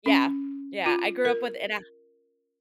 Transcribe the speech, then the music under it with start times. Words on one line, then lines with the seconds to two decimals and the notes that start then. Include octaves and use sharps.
yeah, yeah, I grew up with and I
0.06 C#4
0.86 F4
1.25 A#4